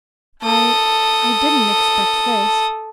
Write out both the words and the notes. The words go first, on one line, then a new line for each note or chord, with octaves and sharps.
I--I--didn't expect this.
A4 D#6